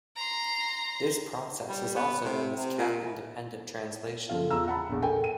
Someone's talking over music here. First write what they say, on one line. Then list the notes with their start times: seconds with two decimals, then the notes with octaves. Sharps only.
This process is also known as cap-independent translation.
0.16 A#5 C6
1.69 G3
1.96 B3
2.24 C3
2.57 C3
2.78 A#2
3.05 E3
4.29 F#2 C#3 F3 A4 F5
4.50 E2 F4 A#5 E6
4.67 F#5 A5 B5
4.89 A#1 E2
5.02 A4 A#4 G5 G#5
5.24 D#7